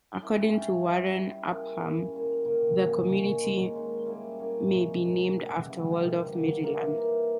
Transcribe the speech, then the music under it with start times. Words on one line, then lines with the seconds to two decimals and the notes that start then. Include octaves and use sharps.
According to Warren Upham, the community may be named after Waldorf, Maryland.
0.19 G3 C#4 E4
0.51 G3 C#4 E4
0.84 G3 C#4 E4
1.15 G3 C#4 E4
1.48 C#3 G3 A#3
1.80 C#3 G3 A#3
2.12 A#2 G3 A#3
2.45 A#2 G3 A#3
2.77 D#3 A#3 C#4
3.09 D#3 A#3 C#4
3.41 A#2 G#3 D#4
3.73 A#2 G#3 D#4
4.06 G3 A#3 C#4 E4
4.38 G3 A#3 C#4 E4
4.70 D#3 G#3 D#4
5.02 D#3 G#3 D#4
5.34 C#3 E3 G3 B3
5.67 C#3 E3 G3 B3
5.99 B2 A#3 D#4
6.31 B2 A#3 D#4
6.63 E3 A#3 D#4
6.96 E3 A#3 D#4